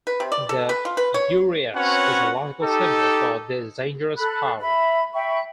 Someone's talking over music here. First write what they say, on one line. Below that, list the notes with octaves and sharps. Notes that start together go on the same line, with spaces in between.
The uraeus is a logical symbol for this dangerous power.
B4
C3
D5
A4
B4
F4
B4
C#5
C4 C#4 F#4 B4 C#5 F#5
D#4 G4 A4
A4 B5 F#6
E5 B5
E5 G5 B5 C#6